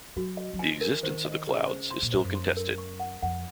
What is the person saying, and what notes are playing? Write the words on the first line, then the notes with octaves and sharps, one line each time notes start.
The existence of the clouds is still contested.
F#3 F#4
D#5
F#3
F3 G#5
A#4
D#3 C5
D#5
C#3 G#4
C5
C3 C6
A#2
G#2 C5
F#2
C6
A#4
C#6
F#5
F2 F#5